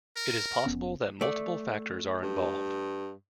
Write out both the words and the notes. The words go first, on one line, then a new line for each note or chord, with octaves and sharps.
It is possible that multiple factors are involved.
A#4
F1 B3 C#4
A3 D5
G2